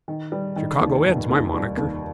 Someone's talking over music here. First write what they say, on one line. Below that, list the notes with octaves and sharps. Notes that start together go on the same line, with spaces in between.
"Chicago Ed.'s my monaker."
D#3
G3
D#3
D#2
F1
D#2
G3
D#2